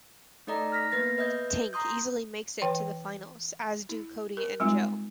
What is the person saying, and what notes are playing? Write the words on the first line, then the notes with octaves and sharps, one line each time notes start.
Tank easily makes it to the finals, as do Cody and Joe.
A3 D#4 A4 D5 D#5 A#5
F6 A#6 B6
A#3 B3 B4 A6 A#6
B4 D#5 E5 G6 G#6
A#5 C6 D#6 G6
E3 C#5 G5
E4
A#4
G3 G#3 C4 D#4 F4